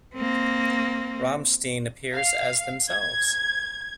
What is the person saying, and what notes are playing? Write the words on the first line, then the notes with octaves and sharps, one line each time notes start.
Rammstein appear as themselves.
A#3 C4
F5
G#6